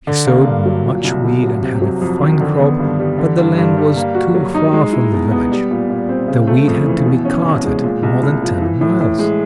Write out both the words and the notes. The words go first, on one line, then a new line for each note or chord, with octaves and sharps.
He sowed much wheat and had a fine crop, but the land was too far from the village--the wheat had to be carted more than ten miles.
D3
A#3
G2
F#3
A#2
C2
C2
F#3
C3
F#3
F2
D#3
D3
B3
G2
G3
D3
G2
G2
G3
A#3
F#4
F#3
D#4
G#3
E4
B2
B3
G3
A#2
A#2
C4
C#3
A3
F2
E3
B2
C#4
C2
G#3
A#2
C2
C2
F3
E3
A2
A2
G#3